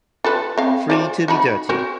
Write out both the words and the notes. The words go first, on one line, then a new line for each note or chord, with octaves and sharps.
Free to Be Dirty!
F4 A4 B4
C4 F5
F4 C5 D5
D#4 F#4 B5
F#4 A#4 C5